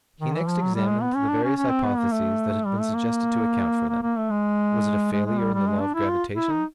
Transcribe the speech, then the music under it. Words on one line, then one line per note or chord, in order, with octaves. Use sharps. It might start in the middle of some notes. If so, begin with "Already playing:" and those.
He next examined the various hypotheses that had been suggested to account for them:--Was it a failure in the law of gravitation?
D#3
E3
F3
F#3
G3
G#3
B3
C#4
D4
C#4
C#4
C4
B3
A#3
A3
G3
A3
A#3
A#3
A#3
A3
G#3
G#3
G#3
G3
G3
G#3
D4
E4
F4
E4
D#4